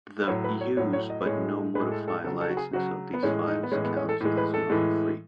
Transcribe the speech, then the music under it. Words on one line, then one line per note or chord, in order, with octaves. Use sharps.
The "use, but no modify" license of these files counts as non-free.
B4
A2 F#3 C#5
B4
C#5
A2 F#3 C#5
C#5
D#5
B4
A2 G#3 C#5
A2 G#3 B4
A4
A4
C#3 F#3 A4
A4
F#4
G#4
C#3 F#3 F#4
B3
A2 E3 G#3 C#4
D#4
B3
A2 E3 G#3 C#4
B3
C#4
A4
A2 E3 G#3
B4
A4
A2 E3 G#3